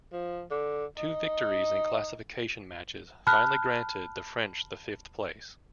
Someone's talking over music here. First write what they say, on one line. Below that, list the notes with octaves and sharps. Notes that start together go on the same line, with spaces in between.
Two victories in classification matches finally granted the French the fifth place.
F3
D3
D#4
A5 B5 F6 F#6